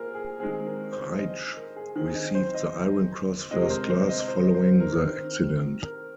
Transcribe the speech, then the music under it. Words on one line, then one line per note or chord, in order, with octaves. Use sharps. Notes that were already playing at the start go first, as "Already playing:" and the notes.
Reitsch received the Iron Cross First Class following the accident.
Already playing: A#2 C4 G#4 A#4
G#4
D#3 G#3 C4 G#4
A#4
C5
D#5
A#4
G#4
D#3 C4 G#4
D#5
C5
D#5
C3 G#3 C4 D#5
A#4
C5
C5
D#5
C5
C5
A#4
D#3 C4
A#4